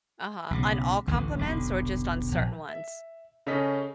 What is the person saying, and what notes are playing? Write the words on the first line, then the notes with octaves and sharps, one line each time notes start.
Uh-huh, on all compliments or just on certain ones?
B1 C#3
A1 D2 D3 E3
F1 B1 D3
A#1
E5
C#3 C#4 A4 D#5 B6